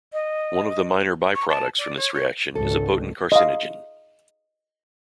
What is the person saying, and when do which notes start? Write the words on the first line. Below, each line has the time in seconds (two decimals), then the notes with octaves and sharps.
One of the minor by-products from this reaction is a potent carcinogen.
0.13 D#5
1.35 C#6
1.50 A5
1.78 D5
1.97 C#5
2.14 C#5
2.55 G#1 C#2 D3 A4
3.32 D#5 F5